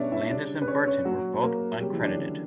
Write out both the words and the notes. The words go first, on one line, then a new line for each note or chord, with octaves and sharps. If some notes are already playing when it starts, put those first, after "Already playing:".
Landis and Burton were both uncredited.
Already playing: B2 G3 B3 C#4 D4 C#5 D5 E5
E4 E5
C#3 G3 D4 D5
B4
C#4 C#5
C#4 C#5
A#2 F#3 F#4
A#3 A#4
C#3 F#3 G3 G4
E3 E4
D4
C#4
D3 D4